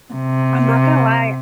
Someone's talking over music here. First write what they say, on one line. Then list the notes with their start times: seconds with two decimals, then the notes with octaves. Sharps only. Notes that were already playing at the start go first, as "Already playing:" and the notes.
I'm not gonna lie.
0.14 C3